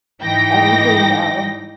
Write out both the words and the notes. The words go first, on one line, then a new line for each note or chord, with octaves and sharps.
anything else,"
G#2 E3 D#4 G5 A#6